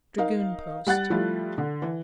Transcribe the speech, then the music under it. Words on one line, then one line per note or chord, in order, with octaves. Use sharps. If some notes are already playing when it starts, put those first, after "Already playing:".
Dragoon post.
D#4 A#4 F5
G3 F#5 F#6 A6
F3 G3 A3 E4 F4
D3
E3